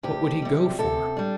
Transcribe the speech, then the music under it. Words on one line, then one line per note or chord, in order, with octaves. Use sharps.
"What would he go for?"
D2 G4
C3 G3
C3 A4
G3 D4